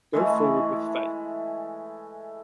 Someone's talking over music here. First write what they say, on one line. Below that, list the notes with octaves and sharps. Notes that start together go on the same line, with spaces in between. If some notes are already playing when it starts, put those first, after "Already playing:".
Go forward with faith!
E3 G#3 A3